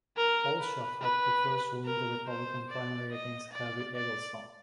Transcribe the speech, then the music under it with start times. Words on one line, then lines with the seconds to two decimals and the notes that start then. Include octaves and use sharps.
Hulshof had to first win the Republican primary against Harry Eggleston.
0.17 A#4
0.60 B4
1.01 B4
1.86 A#4
2.27 C5
2.69 D5
3.12 D#5
3.53 D5
3.95 D5